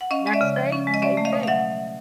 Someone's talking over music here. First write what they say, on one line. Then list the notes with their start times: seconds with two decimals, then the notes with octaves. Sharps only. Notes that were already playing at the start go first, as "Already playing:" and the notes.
Next day, same thing.
0.01 F#5
0.11 C#4 D#5 F5
0.26 G#3 D#5
0.33 D5 E5
0.41 C#3
0.56 F3
0.72 C#4
0.87 G#3
0.94 D#5
1.02 C#4 D5 E5
1.17 A3
1.25 D#5 F5
1.33 B2
1.43 F5
1.47 F#3 E5 F#5